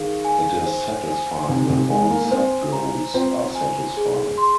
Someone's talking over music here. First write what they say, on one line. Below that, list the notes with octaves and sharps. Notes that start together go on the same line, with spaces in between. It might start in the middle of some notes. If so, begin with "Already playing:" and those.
It is satisfied when all sub-goals are satisfied.
Already playing: D#3 G#4 F5
G#5
C5
G#5
C3 D#4
C3
G#3 G#5
A#3
A#3
C4 C5
A#5
C4 F4
G#5
G#4
C6